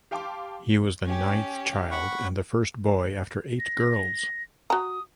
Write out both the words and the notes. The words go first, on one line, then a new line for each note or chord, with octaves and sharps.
He was the ninth child and the first boy after eight girls.
G4 F5 G5 A5 C6 D6
C#4 G4
F#5 B5 C#6
A#6
F#4 A#5 D#6